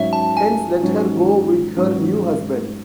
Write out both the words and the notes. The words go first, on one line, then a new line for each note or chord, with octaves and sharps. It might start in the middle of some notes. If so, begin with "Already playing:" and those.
Hence let her go with her new husband.
Already playing: G#2 F#3 C#4 E5
A5
G#5
G#2 F#3 C#4
G#2 F#3 C#4